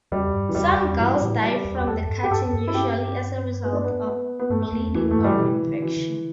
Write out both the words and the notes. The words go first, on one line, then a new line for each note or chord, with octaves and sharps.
Some girls die from the cutting, usually as a result of bleeding or infection.
E2 G3
G2
E3
E2 G3
E2
G2 E3
G3
A2 E3
G3
E2
G4
E2 A4
E2
G2
G4
G2 A4
E2
G2
E4
G4
B3
D4
B3
B3
B3
G2 A3
E2
E2 E3
A3
G2
G3
B2 E3
D3
E3
D3